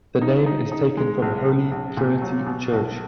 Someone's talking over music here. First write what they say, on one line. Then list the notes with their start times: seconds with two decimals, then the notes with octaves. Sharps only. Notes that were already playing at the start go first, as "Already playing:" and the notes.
The name is taken from "Holy Trinity Church".
0.22 D#4
0.46 D#4
0.72 D#4
0.97 G#3
1.22 B1
1.47 B1
1.72 B1
1.97 A#2
2.22 F#3
2.47 B2
2.72 B1